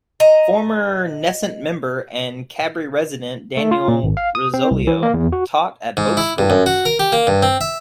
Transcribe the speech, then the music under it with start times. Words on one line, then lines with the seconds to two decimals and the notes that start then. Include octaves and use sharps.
Former Knesset member and Kabri resident Daniel Rosolio taught at both schools.
0.20 D#5 A#5
3.57 A3
3.71 F4
3.88 A#2
4.03 G#1
4.17 F5
4.35 D#6
4.54 C4
4.71 C2
4.87 E3
5.03 A#3
5.14 E2
5.32 F#4
5.97 G#2
6.17 E4
6.38 G2
6.50 F#2
6.66 F#4
6.85 A#4
6.99 G4
7.12 A#3
7.27 G2
7.43 C4
7.61 E5